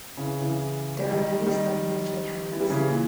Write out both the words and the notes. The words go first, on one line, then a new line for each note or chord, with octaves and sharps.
There are many subminiature cameras.
C#3 E3
C#3 E3
D#3 G3
D#3 G3
E3
G3
C#3 E3
A#2